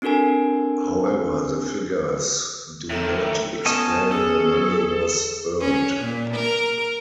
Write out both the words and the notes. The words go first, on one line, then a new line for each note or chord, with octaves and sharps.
However the figures do not explain how money was earned.
C4 D4 F#4 A4 A#4 G#5
A2 D#3 A4
B3 C#4 D#5 A5
G#4 A4
C#4
A#2
A#4